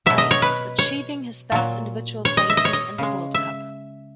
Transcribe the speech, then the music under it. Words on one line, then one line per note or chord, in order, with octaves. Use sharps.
Place, achieving his best individual placing in the World cup.
B2 F#3 E5
D#5
C#5
B4
C#5
A#2 F#3
C#5
D#5
E5
D#5
C#5
D#5
C#3 G#3
E5